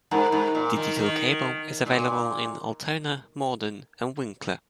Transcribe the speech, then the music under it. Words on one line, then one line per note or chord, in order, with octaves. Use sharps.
Digital cable is available in Altona, Morden, and Winkler.
G#2 D#4 A#4 F#5 A#5
G#2
A#2
D#3
D#3
A#2